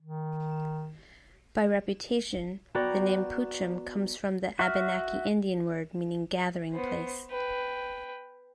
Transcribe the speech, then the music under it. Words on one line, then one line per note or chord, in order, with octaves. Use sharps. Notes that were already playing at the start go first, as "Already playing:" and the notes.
By reputation, the name "Poocham" comes from an Abenaki Indian word meaning "gathering place".
D#3
B3 F#4 B4 D5 G5 A#5
F#4 E5 F6
B3 C5
B4 G5